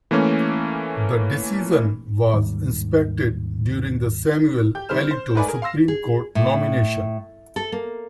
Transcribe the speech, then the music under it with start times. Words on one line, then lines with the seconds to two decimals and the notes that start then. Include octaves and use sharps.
The decision was inspected during the Samuel Alito Supreme Court nomination.
0.11 E3 A3 A#3 C#4
2.34 D#2 G#2 D#3 G3
4.75 G4 G6
4.89 D#3 G3 C4 C5 F6 E7
5.11 C5
5.35 G#2 A3 B4 D5 G#5
5.48 G#4 A#4
5.62 F5 C6 E6 A#6 E7
5.88 G#4
6.35 A2
7.56 A4
7.72 A#3